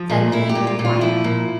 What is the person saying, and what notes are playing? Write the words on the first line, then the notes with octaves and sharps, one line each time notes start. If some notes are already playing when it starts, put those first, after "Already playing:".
Suddenly he grew quiet.
Already playing: F3
A#2 D4
A#2 E4
G4
A#2
F4
A#2
F4
F3 E4
A#2